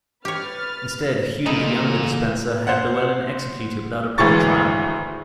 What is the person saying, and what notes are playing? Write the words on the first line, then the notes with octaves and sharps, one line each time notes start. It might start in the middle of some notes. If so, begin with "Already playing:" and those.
Instead Hugh the younger Despenser had Llewelyn executed without a proper trial.
G4 B4 C#5 F6 A6
A#2 C#3 A#3 D#4 E4 A4
C5 F#5
G#1 D2 E3 G#3 C#6 A6